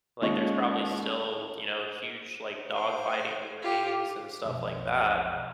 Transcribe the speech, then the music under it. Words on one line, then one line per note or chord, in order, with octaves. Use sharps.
like, there's probably still, you know, huge, like, dogfighting rings and stuff like that
D#2 G#3 C#4 F4 D#5 C#6
C5
F4 G4
B1 F2